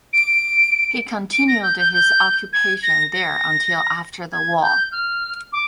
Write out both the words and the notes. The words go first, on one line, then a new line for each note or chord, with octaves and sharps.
He continued his occupation there until after the war.
D7
D7
A#6
G6
G6
G6
G#6
A#6
A#6
G#6
G6
F6
D6